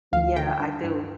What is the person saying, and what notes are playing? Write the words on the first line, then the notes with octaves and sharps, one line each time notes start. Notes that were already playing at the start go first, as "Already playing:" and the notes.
Yeah, I do.
D2 F5
D3 G5
G2
G2